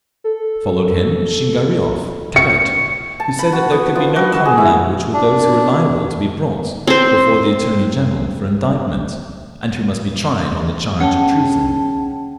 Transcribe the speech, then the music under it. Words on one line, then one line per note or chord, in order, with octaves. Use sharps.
Followed him Shingariov, Cadet, who said that there could be no common language with those who were liable to be brought before the Attorney General for indictment, and who must be tried on the charge of treason....
A4
C#6 C#7
A5
B5
F#4
B3
F3
F#4
E6
G#4
E4
D4
C4 C5
C#4 G#4 F#5 G5 A5